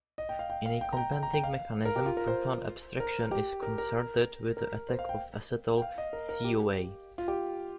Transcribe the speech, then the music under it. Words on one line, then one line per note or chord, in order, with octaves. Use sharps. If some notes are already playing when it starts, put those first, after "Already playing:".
In a competing mechanism, proton abstraction is concerted with the attack of acetyl CoA.
D#5
G5
F5
G5
F5
G5
A#5
G5
G5
A#5
G5
F5
A#4
G4
F4
A#4
C5
A#4
G4
A#4
A#4
A#4
C5
F5
G5
G5
F5
D#5
A#4
A#4
G4
F4
G4